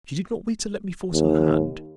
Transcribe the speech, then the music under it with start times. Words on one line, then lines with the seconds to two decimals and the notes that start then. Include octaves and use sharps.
She did not wait to let me force her hand.
1.13 D#2